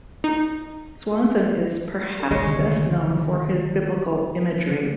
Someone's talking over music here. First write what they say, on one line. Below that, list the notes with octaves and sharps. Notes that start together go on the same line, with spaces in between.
Swanson is perhaps best known for his biblical imagery.
D#4
C2 D3 D#3 G#3 A#3 C#5